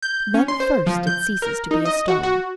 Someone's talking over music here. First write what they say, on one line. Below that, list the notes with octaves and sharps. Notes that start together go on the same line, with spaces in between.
Then first it ceases to be a stone.
G6
C#4
C6
C5
F3
G6
A#4
D#4
D#5
F#4
F#4